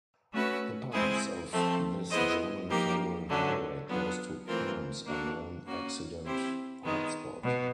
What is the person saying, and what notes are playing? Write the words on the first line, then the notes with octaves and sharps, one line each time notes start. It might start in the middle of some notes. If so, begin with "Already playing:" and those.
The parts of this German federal highway close to Cambs are known accident hotspot.
A3 C#4 F#4 B4 E5
G#3 C4 E4 G#4
F3 A3 C4
B3 E4 G#4 C5 D#5
F3 A#3 D#4 G4 A#4
D3 F#3 A3 C#4
F#3 B3 D4 F4 G#4
E3 A3 C4 F4 A#4
A#3 D4 F#4 A4
A#3 C#4 F#4
C4 E4 G4 C5
D#3 G#3 B3
B2